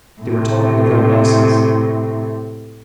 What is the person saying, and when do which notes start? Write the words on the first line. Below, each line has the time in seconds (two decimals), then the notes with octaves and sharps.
They were talking of their losses.
0.21 A2 C3